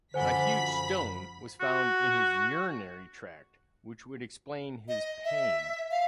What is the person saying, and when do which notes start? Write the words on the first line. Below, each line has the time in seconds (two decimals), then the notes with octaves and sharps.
A huge stone was found in his urinary tract, which would explain his pain.
0.14 F#2 D3 F3 C5 G#5 B5 B6 G7
1.61 F#4
4.88 D#5
5.25 E5
5.91 F5